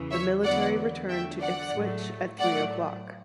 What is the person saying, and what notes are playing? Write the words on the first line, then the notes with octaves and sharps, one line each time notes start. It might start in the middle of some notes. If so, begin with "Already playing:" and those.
The military returned to Ipswich at three o'clock.
Already playing: E2 C#3 E3
C#5 E5
E2 D3 F#3 B3 D5 F#5
E2 D3 F#3 A3 E5 G5
D5 F#5
A2 F#3 A3
A2 F#3 A3 D5 F#5